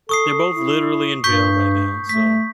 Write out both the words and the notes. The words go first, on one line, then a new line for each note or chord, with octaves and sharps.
they're both literally in jail right now, so,
A4 C#6 D#6 C7
E4
G2 C#6 G6 B6
A3 B6